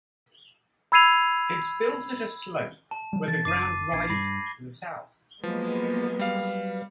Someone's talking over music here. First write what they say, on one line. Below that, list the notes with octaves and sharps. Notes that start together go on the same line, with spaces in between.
It is built at a slope, where the ground rises to the south.
B5 E6 G#6 C7 D#7 F7
A5
F3 G3
E3 A6
F#1 D6 C7 D#7
A#1 D4 G#6 C7
G2 B5 A#6 C7
F3 F#3 G#3 A#3 B3 B4
G3 F5